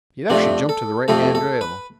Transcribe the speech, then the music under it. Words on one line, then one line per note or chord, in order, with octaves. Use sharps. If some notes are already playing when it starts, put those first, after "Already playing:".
He'd actually jumped to the right-hand rail.
F2 C3 F3 A3 D4
A4
F2 C3 F3 A3 A4
A4
B4